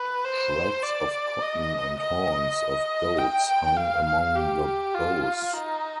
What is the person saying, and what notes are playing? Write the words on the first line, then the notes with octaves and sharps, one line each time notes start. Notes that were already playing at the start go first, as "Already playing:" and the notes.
Shreds of cotton and horns of goats hung among the boughs.
Already playing: B4
C5
D5
D#5
D#5
G5
F5
G4
F4
D#4